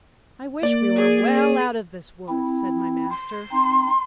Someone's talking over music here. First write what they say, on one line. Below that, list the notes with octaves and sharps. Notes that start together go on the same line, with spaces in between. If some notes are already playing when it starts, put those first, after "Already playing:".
"I wish we were well out of this wood," said my master.
A#3 D5
G#4
G#4
C4 E4
C6
C4 D#4